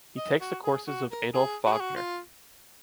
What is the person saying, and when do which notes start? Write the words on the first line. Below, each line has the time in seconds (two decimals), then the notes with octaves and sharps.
He takes the courses of Adolph Wagner.
0.17 D#5
0.41 F#4
0.64 G#4
0.87 F#4
1.11 A#4
1.34 G#4
1.66 F#4
1.73 G#4
1.80 F#4
1.96 F4